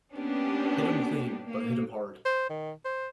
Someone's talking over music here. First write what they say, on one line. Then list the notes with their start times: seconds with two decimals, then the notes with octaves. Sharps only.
Hit 'em clean, but hit 'em hard!
0.13 A#3 B3 C#4 D4 G4
1.42 A#3
2.25 C5
2.50 D#3
2.85 C5